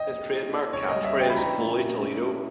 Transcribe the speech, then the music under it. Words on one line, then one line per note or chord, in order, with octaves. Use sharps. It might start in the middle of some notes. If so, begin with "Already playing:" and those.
His trademark catchphrase Holy Toledo!
Already playing: D#5 G5
A#3
E4
A#3
C#3 C#5
D#5
G3
E5
C#3
G5
B5
E4 A#5
A#2
E4
C#4
E4